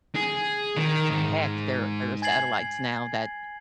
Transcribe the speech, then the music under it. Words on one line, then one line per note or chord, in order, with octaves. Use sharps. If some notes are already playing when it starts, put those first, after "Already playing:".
W heck, there there are satellites now that
G#4
D#3
G#2
G#5 G#6 A6 C7 F#7